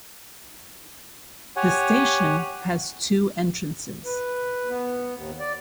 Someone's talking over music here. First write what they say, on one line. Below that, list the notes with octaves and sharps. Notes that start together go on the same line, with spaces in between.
The station has two entrances.
G4 C#5 F#5 G#5
B4
B3
D#2
D5